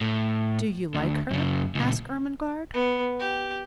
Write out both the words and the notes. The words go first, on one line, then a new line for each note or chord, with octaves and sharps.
"Do you like her?" asked Ermengarde.
A2
D2
F#2 C#3
C#2 A#2
B3
G4